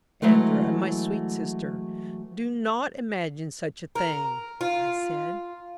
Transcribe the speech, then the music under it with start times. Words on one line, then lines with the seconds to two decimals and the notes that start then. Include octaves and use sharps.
"Edra, my sweet sister, do not imagine such a thing!" I said.
0.22 E3 F#3 G#3 A3
3.95 A#4
4.61 F4